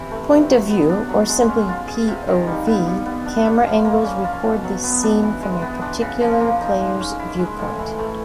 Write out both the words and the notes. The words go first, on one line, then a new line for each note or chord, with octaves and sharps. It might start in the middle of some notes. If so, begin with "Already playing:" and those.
Point-of-view, or simply p.o.v., camera angles record the scene from a particular player's viewpoint.
Already playing: C3 E3
A3
C3
F#3
B3
D4
F#3
G#3
C#4
F4
G#4
C3
D#3
G3
B3
G3
B3
D4
G3
F3
A#3
C#4
F4
B2
F#3
B3
D4
E3
G#3
B3
D4
C#3
F3
A#3
D#4
G#3
C#4
E4
G#3
A2
E3
A3